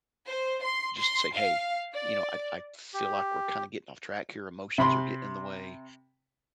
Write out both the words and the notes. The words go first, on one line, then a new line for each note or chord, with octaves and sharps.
just say, "Hey, you know, I I feel like we're kinda getting off track here, emotions are getting in the way,
C5
C6
C6
F5
D5
G4
C3 B5 C6